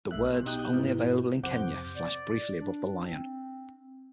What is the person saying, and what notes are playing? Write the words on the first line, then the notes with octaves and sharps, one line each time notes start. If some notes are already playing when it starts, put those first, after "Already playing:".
The words "Only Available in Kenya" flash briefly above the lion.
B1 A3 E5 F#6
B2
B2 D#4 G4 D#6 F#6 G6
G#2 B2 E3
F2 C3 C5 F#5 D6 G6
D5
D4
C4